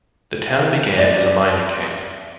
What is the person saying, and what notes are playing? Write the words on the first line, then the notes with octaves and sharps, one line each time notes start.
The town began as a mining camp.
D5